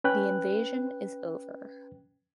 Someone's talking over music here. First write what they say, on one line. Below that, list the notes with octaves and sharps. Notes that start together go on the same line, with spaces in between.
The invasion is over.
C#4 B4 G5 F#6